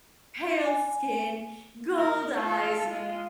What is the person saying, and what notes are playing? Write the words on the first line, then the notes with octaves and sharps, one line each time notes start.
pale skin, gold eyes,
G#5
A#4
F4 A4
G#3 F4